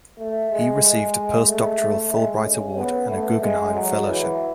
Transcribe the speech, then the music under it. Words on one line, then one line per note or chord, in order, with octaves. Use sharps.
He received a post-doctoral Fulbright Award and a Guggenheim Fellowship.
A3
G#3
G#3
A3
A3
G#3
C#4
B3
A3
G#3
F#3
E3